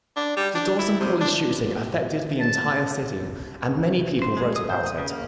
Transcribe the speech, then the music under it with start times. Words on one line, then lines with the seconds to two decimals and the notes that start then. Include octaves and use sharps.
The Dawson College Shooting affected the entire city and many people wrote about it.
0.16 D4
0.37 G3
0.55 D4
0.79 E4
1.00 C3
1.21 D4
2.40 A5
4.22 C5
4.37 G#3
4.56 D#6
4.70 C5
4.86 D#6
4.98 C#3
5.09 A#3